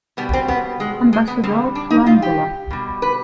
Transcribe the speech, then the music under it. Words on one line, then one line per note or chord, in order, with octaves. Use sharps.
Ambassador to Angola.
B2 G3 B3
C4
B3
G#3
G#3
B3
D3 G3 C4
D4
D#4
F4
G4
B2 G3
B4